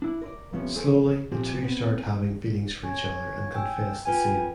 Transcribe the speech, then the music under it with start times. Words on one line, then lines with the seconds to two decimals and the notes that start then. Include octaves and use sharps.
Slowly the two start having feelings for each other and confess the same.
0.02 D4 E4
0.22 A#4 B4 D5
0.52 F2 C3 F3 A3 B3 C#4
0.75 F2 A3 G#4 A4 C5 G#5
1.32 A#2 F3 C4 G4
1.63 B3 C4
2.84 C#5 G#5
3.55 G5 G#5 E6
4.05 F4 B4 G5 G#5